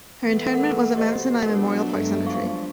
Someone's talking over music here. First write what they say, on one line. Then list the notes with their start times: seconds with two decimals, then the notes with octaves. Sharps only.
Her interment was at Mount Sinai Memorial Park Cemetery.
0.23 E3 A3 B3
0.53 A#4 F#5
0.96 B2 G4 C5 C#5 D#5
1.46 F#3 B3 D4 A#4 C#5
1.88 G2 G#3 A3
2.27 F3 F5 C#6